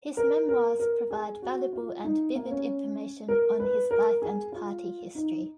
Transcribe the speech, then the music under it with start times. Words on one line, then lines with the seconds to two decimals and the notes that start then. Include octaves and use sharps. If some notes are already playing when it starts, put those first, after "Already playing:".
His memoirs provide valuable and vivid information on his life and party history.
0.17 A#4
0.49 A#4
0.80 A#4
1.11 G#4
1.42 F#4
1.73 F4
2.04 D#4
2.35 A#3
2.51 C#4
3.28 A#4
3.60 B4
3.91 A#4
4.22 G#4
4.52 F4
5.15 D#4